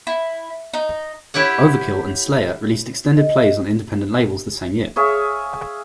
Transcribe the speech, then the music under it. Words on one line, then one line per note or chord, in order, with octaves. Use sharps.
Overkill and Slayer released extended plays on independent labels the same year.
E4
D#4
E4 G4 C#5 F#5
D#5
G#4 C#5 E5 F5